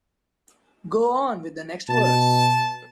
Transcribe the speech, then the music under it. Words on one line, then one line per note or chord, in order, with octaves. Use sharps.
Go on with the next verse.
B2 A5